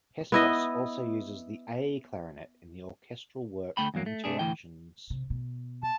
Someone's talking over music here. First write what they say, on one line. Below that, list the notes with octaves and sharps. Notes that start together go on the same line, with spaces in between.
Hespos also uses the A clarinet in the orchestral work "Interactions".
B3 E4 D#5
D2 A3 G5 B5
E2 G2 F#3 A#3
A3
C3 A3 D4 G#4
D2 A2 E3 G5
C3
B2
A5